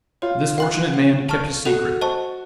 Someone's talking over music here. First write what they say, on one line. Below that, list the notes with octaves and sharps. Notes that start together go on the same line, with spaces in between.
This fortunate man kept his secret.
F4 C#5
F#5 C6 F#6
F#5
A5 C#6 F6
F#4 A4
C5 D#5 A5 C#6